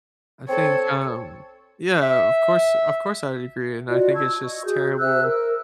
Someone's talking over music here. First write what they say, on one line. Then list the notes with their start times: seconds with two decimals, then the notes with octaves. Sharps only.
I think, um yeah, of course of course I'd agree, and I think it's just terrible
0.49 C4 A4 C#5
2.02 E5
3.88 F4 F#4 D5 D#5
4.14 A5 C#6 E6 G#6
4.44 D#5 C#6
4.65 F#4 G#4 G6
4.99 C5 E5 E6 F#6
5.23 A#4